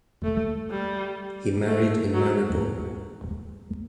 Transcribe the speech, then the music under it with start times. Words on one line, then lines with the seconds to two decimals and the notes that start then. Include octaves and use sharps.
He married in Maribor.
0.24 A3
0.71 G3
1.66 A3
2.14 F#3